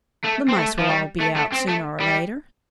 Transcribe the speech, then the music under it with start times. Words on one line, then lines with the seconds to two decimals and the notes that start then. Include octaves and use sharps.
The Mice will all be out sooner or later.
0.25 A3
0.49 C4
0.57 A3
0.79 F3
0.88 G3
1.20 A3
1.36 A3
1.52 C4
1.69 A3
2.00 G3